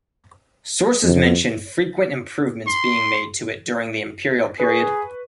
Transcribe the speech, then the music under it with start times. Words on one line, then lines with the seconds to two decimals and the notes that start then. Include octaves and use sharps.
Sources mention frequent improvements being made to it during the imperial period.
1.03 F2
2.67 C6
4.60 G#4 B4 C#6